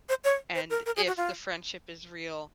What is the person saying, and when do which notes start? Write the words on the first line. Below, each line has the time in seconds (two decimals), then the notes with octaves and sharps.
and if the friendship is real,
0.09 C5
0.24 C#5
0.55 C5
0.70 A#4
0.86 A#4
0.96 G#4
1.07 F#4
1.17 F4